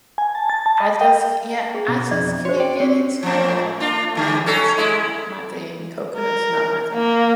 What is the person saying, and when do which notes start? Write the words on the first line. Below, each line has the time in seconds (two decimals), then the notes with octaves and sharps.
I just c Yeah, I just can't get into it, I don't know why, it's not my thing, coconut is not my thing.
0.18 G#5
0.35 A5
0.50 A6
0.66 A5
0.80 D#5
1.01 G5
1.74 G#4
1.88 B2
2.11 F2 D5
2.45 F#4 C5 C#5
2.60 D5 G5
2.80 C4 G4
3.23 A2 F3
3.80 D4 F4
4.15 E2 D3 G3
4.46 F#3 C#4 A4
4.77 G#3 E4
6.16 A#4
6.94 A#3